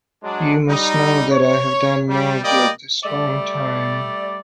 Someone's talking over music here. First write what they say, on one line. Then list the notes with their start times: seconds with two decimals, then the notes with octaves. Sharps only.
You must know that I have done no good this long time.
0.23 F#3 G#3 D4
0.68 G3 D#4
1.32 C#5
2.08 G3
2.43 G3 A#3 D5 D#5 G5
3.04 G3 A3 D5